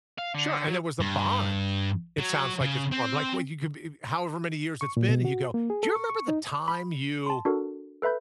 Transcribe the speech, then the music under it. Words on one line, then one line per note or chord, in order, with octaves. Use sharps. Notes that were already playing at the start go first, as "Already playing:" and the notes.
Sure and there was a bond, it sounds like it's formed. Like, when you could be if however many years it's been, and you go, "Do you remember the time you"
F5
D3
F#3
G2
F#3
C#3
C4
C#6
A#2
B2
F#4
A#3
G#4
A4
C#6
C#6
D#4
B5
A5 C6
D4 F#4 A4 A#4
A4 B4 E5 B5 G6